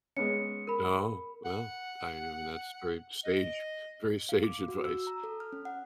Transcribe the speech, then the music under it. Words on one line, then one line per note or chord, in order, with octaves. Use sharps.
Oh, well, I mean that's very staged very sage advice.
G#3 B3 C#4 C#7
A#4 B5
F#5
D#5
F5
D6
F#4
E6
A#5
A4
F6
C#4
F#5